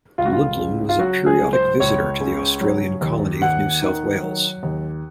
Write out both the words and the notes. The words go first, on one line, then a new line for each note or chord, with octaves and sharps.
Ludlam was a periodic visitor to the Australian colony of New South Wales.
C#2 F4
F#4
F4
C#3
F4
F#3 F#4
G#4
C#2
C5
C#2 C#5
C#3
F#3
D#2
D#2 F#5
D#3
F#3
D#2